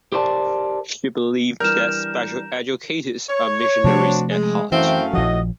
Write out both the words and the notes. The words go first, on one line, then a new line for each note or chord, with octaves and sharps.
She believed that special educators are missionaries at heart.
G4 A#4 C5 D5 A5
E3 G3 D4 A#4 F6 G6 E7
C#5
C3 F3 A3 D4 F#4 C5
G#3
F#2 E3 A3 C4 E4 F5 G5
A#1 A2 F3 F#4 D#5